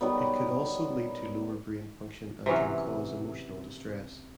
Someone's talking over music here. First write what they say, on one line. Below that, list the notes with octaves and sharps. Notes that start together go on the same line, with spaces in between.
It could also lead to lower brain function and can cause emotional distress.
D#3 F#3 G3 B3
C3 E3 F#3 C#4